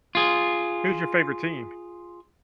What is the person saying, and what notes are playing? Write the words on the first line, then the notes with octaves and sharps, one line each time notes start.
Who's your favorite team?
F4 G#4